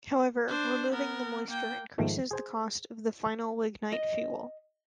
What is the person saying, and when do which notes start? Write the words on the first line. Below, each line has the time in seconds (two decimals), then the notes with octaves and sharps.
However, removing the moisture increases the cost of the final lignite fuel.
0.48 D4 C5
0.92 B3 A#4
1.49 A#3 G5
1.98 G#2 D#3 F3 A3
2.31 G#4 C5 G#5
3.92 D#5